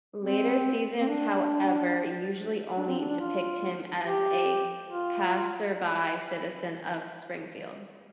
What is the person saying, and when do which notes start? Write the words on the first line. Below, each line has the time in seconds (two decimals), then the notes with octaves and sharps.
Later seasons however usually only depict him as a passerby citizen of Springfield.
0.23 C4
1.01 C4
1.08 D4
2.77 D4
2.88 C4
2.99 D4
3.09 D4
3.20 F4
4.05 G4
4.89 F4